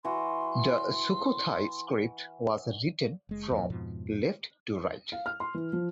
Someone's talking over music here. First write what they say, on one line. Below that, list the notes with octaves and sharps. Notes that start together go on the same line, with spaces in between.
The Sukhothai script was written from left to right.
E3 F#4 C6
F#1 G#3
E2 A#2 E3
F2 G#2 B2 F3
F5
F6
C6
E3
F3